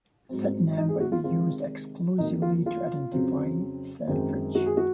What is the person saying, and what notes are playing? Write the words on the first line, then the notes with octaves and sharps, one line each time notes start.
Said name will be used exclusively to identify said bridge.
G#2 F#3 C4
D#4
G#4
F#4
F4
C3 D#3 G#3 C4 F4
F2 D#3 F#3 A#3 D#4
F4
F4
F2 C#3 F#3 C4
F#2 D#3 G#3 C4
F#4
G#4
F#4